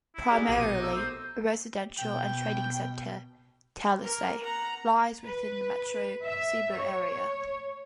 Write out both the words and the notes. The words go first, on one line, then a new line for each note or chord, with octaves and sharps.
Primarily a residential and trading center, Talisay lies within the Metro Cebu area.
E4
D#4 F#4 G#4 A4 D5 F#5
A#1 B2 A#3 G4 G#4 C5 D#7
D#4
A3 A#4 E6
C5
B2 G5
A#3 A#4
F#5 A#5
B4
E5
C#5